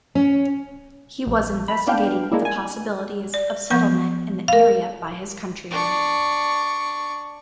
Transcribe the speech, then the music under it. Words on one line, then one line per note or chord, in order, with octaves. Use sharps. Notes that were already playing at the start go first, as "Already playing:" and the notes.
He was investigating the possibilities of settlement in the area by his countrymen.
C#4
A#1
B5
B3 D4 F5 G5
G#3 A#3 D4 E4
G#5
D5
F3 B3 C#6
A#4 F5
D4 C#6